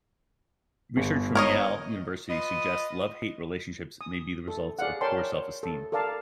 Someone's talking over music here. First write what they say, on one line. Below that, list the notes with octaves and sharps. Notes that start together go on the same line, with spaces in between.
Research from Yale University suggests love-hate relationships may be the result of poor self-esteem.
G1
A#4 C#5 D#5
F4 B4 D#5
D#6
A4
G#4 D5 F5 F#5
A#4 C#5 D5 G5 A5 C6
A4
A4 A#4 D5 F5 A5